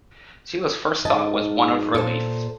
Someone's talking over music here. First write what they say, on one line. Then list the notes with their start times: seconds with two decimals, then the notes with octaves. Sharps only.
Celia's first thought was one of relief.
1.05 G#2 D#5 A5
1.95 A#2 A4 C5